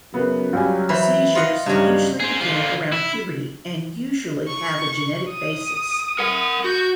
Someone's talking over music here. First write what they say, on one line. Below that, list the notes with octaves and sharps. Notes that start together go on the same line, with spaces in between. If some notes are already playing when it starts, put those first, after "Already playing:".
Seizures usually begin around puberty and usually have a genetic basis.
F#2 C#3 B3
C#2 F#3 G3 G#5
E3 C5 B5
F4 D#5 F#5
G2 C#3 F#3 G3 D#4
G#4 C5
D3 F4
E4
C#6
D#6
A#4 F#5
F#4 G6